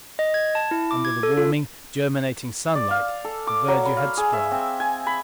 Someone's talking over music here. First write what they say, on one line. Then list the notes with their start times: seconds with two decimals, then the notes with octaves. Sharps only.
Under the warming, germinating sunlight, the verdure had sprung.
0.19 D#5
0.34 G#6
0.55 A5
0.71 E4
0.91 D6
1.05 G#6
1.23 A4
1.37 F4
2.75 D5
2.91 F5
3.24 A4
3.47 D6
3.68 F#3
3.85 B5
3.97 F5
4.17 G#4
4.33 E5
4.51 C4
4.80 G#5
5.06 B5